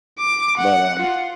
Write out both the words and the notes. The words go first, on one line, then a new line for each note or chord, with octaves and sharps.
But, um
D6
F#5
F4